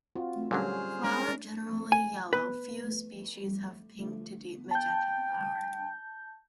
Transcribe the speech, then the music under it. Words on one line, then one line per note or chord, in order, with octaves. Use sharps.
Flower generally yellow, few species have pink to deep magenta flower.
C4 F4 F#4
A#2 D3 F#3 G3 C#4 G#4 C5 F6
G#3 C#4 A#4
G#5
B4
G5 A5 G6